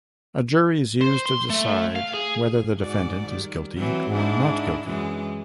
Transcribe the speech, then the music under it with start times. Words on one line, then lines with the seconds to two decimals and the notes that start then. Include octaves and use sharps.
A jury is used to decide whether the defendant is guilty or not guilty.
1.01 C5
1.26 C6
1.50 A3
1.96 F5
2.14 G#4
2.78 G#2 F#4 D5
3.26 D#3 G3
3.78 E3 F#3 C4
4.12 G#2 D4 E4
4.87 F#2 E3 G#3